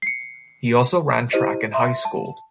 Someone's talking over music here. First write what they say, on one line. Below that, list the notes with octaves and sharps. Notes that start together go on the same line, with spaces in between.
He also ran track in high school.
C7 C#7
E4 G4 C5 D#5 D#7
E5 C6
A5